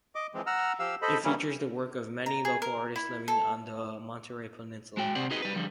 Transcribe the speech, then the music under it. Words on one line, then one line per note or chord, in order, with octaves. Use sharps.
It features the work of many local artists living on the Monterey Peninsula.
D#5 D6
E3 F3 G#3 C4
F#5 A#5 E6 F6
F3 G4 F5 E6
A4 C5 D#5 B5
E3 G3 A#3 C#4 E4
A#5
G#4
A#4
E4
A4
G#3 F#4 G5
C3 C4 G4 C5 D5 F#5
D#4 F#4 G#4 B4 D#5
G3 B4
D3 F3 G3